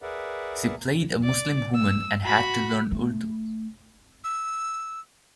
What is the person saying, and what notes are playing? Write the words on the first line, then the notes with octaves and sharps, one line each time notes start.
She played a Muslim woman and had to learn Urdu.
G#4 A#4 B4 D5 E5 F#5
D5
E6
F#4 B5
A3
E6